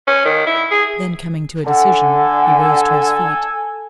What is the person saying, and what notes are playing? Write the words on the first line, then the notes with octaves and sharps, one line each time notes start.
Then coming to a decision, he rose to his feet.
C#4
D#3
E4
G#4
D3 A4 F#5 G#5